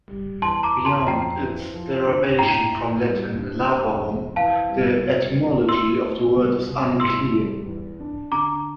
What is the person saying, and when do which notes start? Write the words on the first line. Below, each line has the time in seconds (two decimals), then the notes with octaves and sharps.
Beyond its derivation from Latin "labarum", the etymology of the word is unclear.
0.08 G3
0.42 E2 A5 C6
0.63 A#5 D6
0.75 E2
0.85 A5 C6
1.07 F2 G5 A#5
1.40 E3
1.74 F3
2.07 D3
2.39 A2 G5 A#5
2.72 A2
3.05 G3
3.38 G2
3.71 C3
4.04 F2
4.36 E3 F5 A5
4.69 G3
5.03 C2
5.36 E3
5.68 E4 C6 E6
6.02 A3
6.34 C2
6.67 C2
7.00 A2 C6 E6
7.33 G3
7.66 E2
8.00 D4
8.32 D3 A#5 D6